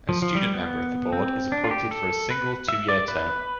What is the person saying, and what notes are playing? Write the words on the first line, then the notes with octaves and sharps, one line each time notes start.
A student member of the Board is appointed for a single two-year term.
F3
F3
G3
B3
C4
D4
F4
G4
A4
B4
E5
D5
B4